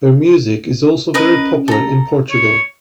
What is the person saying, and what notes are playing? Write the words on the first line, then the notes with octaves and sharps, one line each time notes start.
Her music is also very popular in Portugal.
C#4 A#4 B4 D#5
A4 A#5
C#5